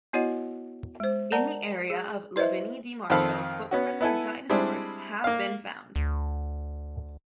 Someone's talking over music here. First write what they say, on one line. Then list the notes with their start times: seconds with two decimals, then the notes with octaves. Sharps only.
In the area of Lavini di Marco footprints of dinosaurs have been found.
0.13 B3 E4 F#4 C#5 D#5 F#5
1.00 G#3 C5
1.32 A#4 D5 F#5 A5 A#5
1.90 G#4
2.36 E4 B4 C5 D#5 E5
3.10 F2 D#3 C4 A4 F5 B5
3.71 B3 C#4 F#4
4.01 B3 E4 A4 G#5
4.50 G3 G#3 C4 D4 E4
5.24 A#3 F5
5.96 D2